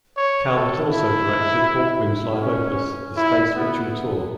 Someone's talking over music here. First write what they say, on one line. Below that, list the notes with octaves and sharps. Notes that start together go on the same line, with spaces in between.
Calvert also directed Hawkwind's live opus, the Space Ritual Tour.
C#5
A4
E4
C#4
E4
B3